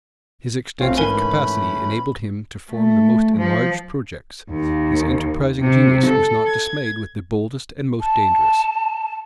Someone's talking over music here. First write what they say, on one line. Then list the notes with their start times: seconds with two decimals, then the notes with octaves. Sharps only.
His extensive capacity enabled him to form the most enlarged projects: his enterprising genius was not dismayed with the boldest and most dangerous.
0.79 A#1 E3 A3 C4 C#4 F5
0.98 G#2 A#4 B4 G#5 B5
2.72 A3
3.37 F3
4.49 D#2
5.59 C3
6.06 A4
6.47 G#6
8.01 A5